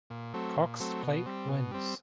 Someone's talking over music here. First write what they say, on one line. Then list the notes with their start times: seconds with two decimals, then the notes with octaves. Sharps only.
Cox Plate wins.
0.10 A#2
0.34 F#3 A3 C4
0.57 A#2
0.80 F#3 A3 C4
1.03 B2
1.26 G3 C4
1.48 B2
1.71 G3 C4